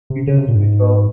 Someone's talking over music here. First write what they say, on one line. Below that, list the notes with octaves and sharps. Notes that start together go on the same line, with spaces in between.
He does switch off.
C3
C#3
C3
A#2
G2
G#2